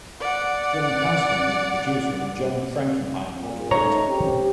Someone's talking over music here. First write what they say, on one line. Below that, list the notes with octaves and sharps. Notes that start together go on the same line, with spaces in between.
John Houseman was the producer and John Frankenheimer the director.
D5 F#5
A#2
A3 C#4 D#4 C#5 A#5
C4 C#4 G4